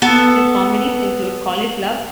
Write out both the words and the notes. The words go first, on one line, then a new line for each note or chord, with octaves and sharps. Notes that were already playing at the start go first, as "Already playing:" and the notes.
His comedies include Call It Love?
B3 A4